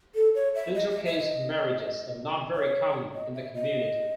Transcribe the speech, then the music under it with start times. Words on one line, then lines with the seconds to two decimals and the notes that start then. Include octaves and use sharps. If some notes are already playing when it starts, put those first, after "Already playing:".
Inter-caste marriages are not very common in the community.
0.15 A4
0.35 C#5
0.55 E5
0.75 D#5
0.90 D#5
1.05 E5
1.19 D#5
2.55 C#5
3.14 D#5
3.34 E5
3.54 D#5